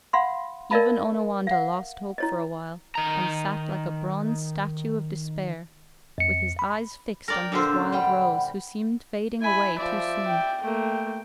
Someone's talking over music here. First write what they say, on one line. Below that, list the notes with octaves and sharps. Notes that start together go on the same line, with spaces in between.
Even Onawandah lost hope for a while, and sat like a bronze statue of despair, with his eyes fixed on his Wild Rose, who seemed fading away too soon.
F5 F#5 B5 C6
A#4 D5 D#5 F5 A5 B5
F5 F#5
E4 C#5 D#5
D#3 A#5
F2 C#7
B5
A#4 D5 G5
A#2 D3 D4 C5 E6
C#4
G3 F#5 G5 B5
E4 G#5 B5
F3 D5 E5
G5
A3 A#3 G5